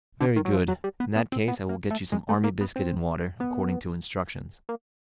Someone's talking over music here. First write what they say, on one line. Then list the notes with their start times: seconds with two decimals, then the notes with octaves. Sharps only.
"Very good; in that case I will get you some army biscuit and water, according to instructions."
0.21 D3
0.36 D#3
0.45 F#3
0.53 F3
0.68 F#3
0.84 G3
1.00 B3
1.16 B3
1.32 C4
1.48 B3
1.69 A#3
1.91 A3
2.12 G#3
2.29 A3
2.44 A#3
2.61 B3
2.76 C4
3.40 B3
4.69 A#3